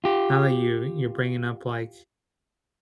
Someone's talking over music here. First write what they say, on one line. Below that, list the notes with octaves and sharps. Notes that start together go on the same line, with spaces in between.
Now that you you're bringing up, like
F4 G4